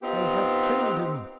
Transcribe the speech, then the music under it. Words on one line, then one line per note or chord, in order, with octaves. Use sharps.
They have killed him!
B3 C4 D#4 F4 G4